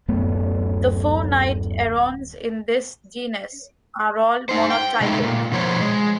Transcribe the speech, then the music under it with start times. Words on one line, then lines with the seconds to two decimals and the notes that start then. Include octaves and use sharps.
The four night herons in this genus are all monotypic.
0.08 D1 F#2 A3 B3
4.49 D#4 C5
4.70 G5
5.01 B2 G#3 A3 D#4
5.23 A#2
5.52 B2 F3 C5 C#5
5.81 G#3